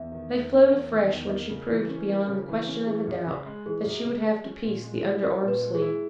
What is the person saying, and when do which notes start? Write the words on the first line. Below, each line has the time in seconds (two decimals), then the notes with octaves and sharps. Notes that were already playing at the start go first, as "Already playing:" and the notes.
They flowed afresh when she proved beyond the question of a doubt that she would have to piece the under-arm sleeve.
Already playing: E2 E5
0.12 D#3
0.31 E2
0.51 A#3
0.71 E2
0.91 D#3
1.10 E2
1.29 A#3 D#5
1.49 C#3
1.69 E3
1.89 C#4
2.09 A#3
2.28 C#3
2.48 E3
2.67 C#4
2.87 E3 G#4
3.07 F#2
3.26 C#3
3.46 G#3
3.66 E3 G#4
3.85 F#2
4.04 C#3
4.24 G#3
4.44 C#4
4.63 A#2
4.84 G#3
5.03 E4
5.22 C#4 A#4
5.42 A#2
5.48 B4
5.61 G#3
5.75 G#4
5.82 E4